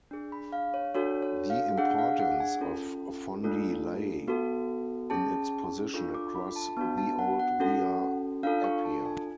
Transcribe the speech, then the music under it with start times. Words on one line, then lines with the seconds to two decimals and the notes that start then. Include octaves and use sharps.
The importance of Fondi lay in its position across the old Via Appia.
0.11 D4 G#4
0.32 B5
0.53 F5
0.74 C#5
0.95 D4 F#4 A4 C#5
1.22 C#5
1.50 F5
1.78 D4 G#4 F#5
1.98 F5
2.20 F#5
2.40 G#5
2.61 C#4 F4 A4
3.44 A3 D4 F4 A4
4.28 B3 F#4 A4
5.10 C#4 G#4 A5
5.94 D4 F4 A4 C#6
6.14 D6
6.35 B5
6.56 A5
6.77 B3 D4 F#4 A5
6.98 A5
7.19 F#5
7.40 F#5
7.60 C#4 F#4 A4
8.43 D4 F4 A4 F5
8.64 C#6
8.85 A5
9.06 G#5